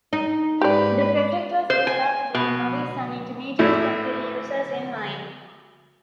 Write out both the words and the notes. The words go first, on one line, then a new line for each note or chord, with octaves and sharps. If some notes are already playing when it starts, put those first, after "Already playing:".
The project was developed with novice and intermediate computer users in mind.
D#4
G#2 G4 B4 D5
C5
G#5
B2
G#1 A2 E4